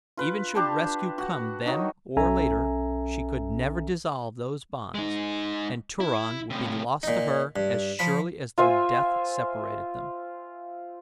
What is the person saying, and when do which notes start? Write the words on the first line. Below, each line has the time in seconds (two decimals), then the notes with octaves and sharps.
Even should rescue come then or later she could never dissolve those bonds and Turan would be lost to her as surely as though death separated them.
0.17 F4 B4
0.55 D4 G4 A5
1.18 F#4 F#5
1.66 D#3 F#3 D#4
2.17 B1 C#4 A4 E5 G#5 A#5
4.94 G#3 D#4
6.00 E4
6.50 A2 C3
7.03 A#2 D#4
7.56 G2
7.99 F3 B5
8.58 F4 C5 E5 G#5